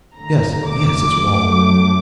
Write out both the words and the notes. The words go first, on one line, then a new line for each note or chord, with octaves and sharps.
Yes, yes, it's Walt.
D#2 D3 A3 A#5
D6
F#2 F#3 A3